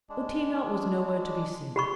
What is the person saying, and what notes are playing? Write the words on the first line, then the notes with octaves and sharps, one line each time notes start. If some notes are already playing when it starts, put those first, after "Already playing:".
Outina was nowhere to be seen.
G#3 D4
G4 B5 C#6